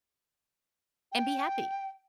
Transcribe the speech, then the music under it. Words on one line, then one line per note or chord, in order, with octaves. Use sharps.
And be happy.
G5